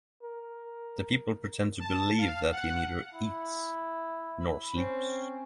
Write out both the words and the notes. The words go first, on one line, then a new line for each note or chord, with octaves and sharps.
The people pretend to believe that he neither eats nor sleeps.
A#4
A5
F5
F#5
E4
B5
C4 C#4